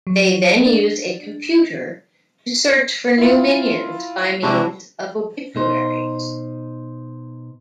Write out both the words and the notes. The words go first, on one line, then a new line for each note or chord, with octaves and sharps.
They then use a computer to search for new minions by means of obituaries.
F#3
D4
E4 F4
C3 G#3 D4 E4 F#4
B2 D#4 C5